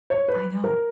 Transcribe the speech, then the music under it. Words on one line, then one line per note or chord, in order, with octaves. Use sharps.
I know.
C#5
B4
A#4